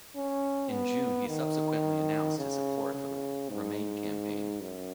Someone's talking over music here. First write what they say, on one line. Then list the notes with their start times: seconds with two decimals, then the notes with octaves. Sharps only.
In June, he subsequently announced his support for the Remain campaign.
0.16 C#4
0.71 B3
1.27 D#3
2.38 C#3
2.94 C#3
3.49 G#2
4.61 F#2